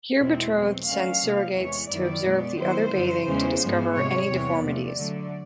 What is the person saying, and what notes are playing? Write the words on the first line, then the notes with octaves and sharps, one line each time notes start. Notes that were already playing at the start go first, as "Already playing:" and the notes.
Here betrothed send surrogates to observe the other bathing to discover any deformities.
E2 B2 G#3 C4 E4
B2 F#3 A3 C4
D3 F#3 A3 C#4 F5
C3 F3 A#3
E2 C3 E3 G#3 C#5
F#2 D#3 F#3 B3 E4 D5
B2 G#3 B3
D#3 F#3 B3 E4 C5
F#2 D3 F#3
E2 C#3 E3 G#3 C#4
G#2 F3 G#3 B3
C3 F3 G#3 C#5
E2 C3 E3 G3 B3
C3 F3 A3 D5
D3 F#3 A3